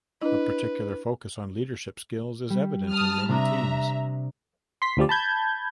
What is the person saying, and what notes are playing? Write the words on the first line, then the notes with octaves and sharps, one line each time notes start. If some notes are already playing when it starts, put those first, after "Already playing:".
A particular focus on leadership skills is evident in many teams.
D4 E4 B4 D#5
G3
A5 D#6 F6
C3 D4 E5 A#5 D#6
C6 B6
D2 F3 G3 D5
A5 B5 G6 G#6